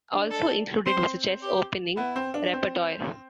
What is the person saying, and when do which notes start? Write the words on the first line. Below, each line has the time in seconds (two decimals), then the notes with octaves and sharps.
Also included was a chess opening repertoire.
0.12 D4
0.31 A4
0.86 C4 C5
1.42 G4
1.97 B3 E4
2.16 C4
2.34 D4
2.53 C4